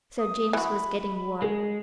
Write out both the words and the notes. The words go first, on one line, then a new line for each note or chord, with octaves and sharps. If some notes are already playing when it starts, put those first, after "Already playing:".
Sir James was getting warm.
D#6
E3 F#4 B5
G#3 G#4